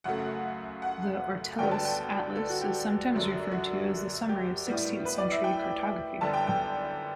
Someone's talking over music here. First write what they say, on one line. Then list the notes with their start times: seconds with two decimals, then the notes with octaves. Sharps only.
The Ortelius atlas is sometimes referred to as the summary of sixteenth-century cartography.
0.04 F#2 C#3 F#3 A3 F#5
0.82 F#5
1.58 G2 D3 F#3 B3 G5
1.71 A5
1.85 G5
2.36 A4
2.49 F#4
2.62 G4
3.13 F#2 D3 F#3
3.51 F#4
4.29 G4
4.67 A2 G3 B3
5.05 B4
5.18 D5
5.32 E5
5.44 G5
6.21 F#2 D3 G3 B3 A5
6.33 G5
6.47 G5